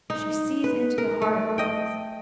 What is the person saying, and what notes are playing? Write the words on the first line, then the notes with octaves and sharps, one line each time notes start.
She sees into the heart of things.
D#4
B4
A#4
A3
D#5 G5